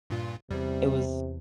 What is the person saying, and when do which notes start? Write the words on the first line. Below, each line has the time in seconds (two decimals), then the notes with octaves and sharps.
It was
0.10 G2 A#2 F4
0.51 E2 C3 G3